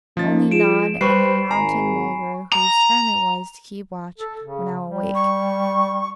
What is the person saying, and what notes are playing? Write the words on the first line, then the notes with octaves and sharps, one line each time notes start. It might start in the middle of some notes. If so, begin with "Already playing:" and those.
Only Nod and the Mountain-mulgar whose turn it was to keep watch were now awake.
F3 A3 C#4 D#4 A6
F4 G#4 D7 E7
G3 G4 B4 C5 B5 C#6 C7
G#1 G#5 A#5 C7
A#5
A4
C#3
G3
C#6